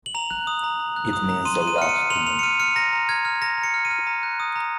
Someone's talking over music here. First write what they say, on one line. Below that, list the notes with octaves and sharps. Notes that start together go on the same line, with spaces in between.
It means a lot to me.
F#7
A#5 F7
F#6
D#6
A#5
A#5
F#6
D#6
A#5
C6 D#7
C6
D#7
F6 C#7
D#7
F6
C6 F7
C6 F7
C#7
F6 D#7
F6 C#7
A#5 A#6
A#5
F6 G#6
F6
A#5 A#6
A#5
C#7
F6
D#7
F6
A#5
F#6
D#6
A#5